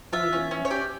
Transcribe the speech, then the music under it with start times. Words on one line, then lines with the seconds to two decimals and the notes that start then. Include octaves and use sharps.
Oh my goodness.
0.13 F4 E5
0.33 C#4
0.51 C#4
0.65 C#5
0.70 G4 D5